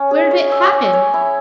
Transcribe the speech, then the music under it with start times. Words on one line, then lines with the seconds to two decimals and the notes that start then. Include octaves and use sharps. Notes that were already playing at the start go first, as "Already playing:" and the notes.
Where did it happen?
Already playing: C#4
0.11 G#4
0.31 C#5
0.52 E5
0.73 C#5
0.93 C#5
1.13 E4